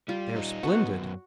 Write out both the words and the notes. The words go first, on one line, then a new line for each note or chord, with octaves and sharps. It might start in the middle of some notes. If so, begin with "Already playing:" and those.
They are splendid.
G3 F4
D#4
B3 F#4
F#2